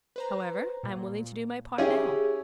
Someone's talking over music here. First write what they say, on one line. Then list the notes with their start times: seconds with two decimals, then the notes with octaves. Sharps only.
However, I am willing to do my part now.
0.16 B4 C5 A#5
0.83 A#2
1.78 C#4 E4 G4 G#4